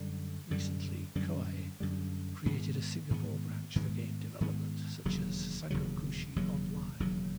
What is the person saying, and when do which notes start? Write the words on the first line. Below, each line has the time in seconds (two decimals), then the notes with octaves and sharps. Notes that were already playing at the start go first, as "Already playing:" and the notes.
Recently, Koei created a Singapore branch for game development such as "Sangokushi Online".
Already playing: F#2 D3 G3
0.51 F#2 D3 G3
1.15 F#2 D3 G3
1.80 F#2 D3 G3
2.46 G#2 D#3 G#3 B3
3.10 G#2 D#3 G#3 B3
3.76 G#2 D#3 G#3 B3
4.41 G#2 D#3 G#3 B3
5.05 E1 D#2 C#3 F#3
5.70 E1 D#2 C#3 F#3
6.36 E1 D#2 C#3 F#3
7.00 E1 D#2 C#3 F#3